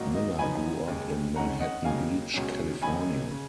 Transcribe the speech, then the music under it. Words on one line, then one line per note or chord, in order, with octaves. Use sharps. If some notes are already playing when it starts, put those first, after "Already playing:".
Miller grew up in Manhattan Beach, California.
Already playing: G#1 G#2 F#3 A#3 D#4
D#5
F#2 F3 B3 D#4 G#5 B5
D#2 C#3 G#3
F2 D#3 G#3 C#4 F#5 A#5
D#5 F#5
D#2 C#3 F#3 A#3 D#4 F5 G#5
C#2 B2 F#3 C#4
F#2 D#3 A#3 D#4 G#5 B5
C#3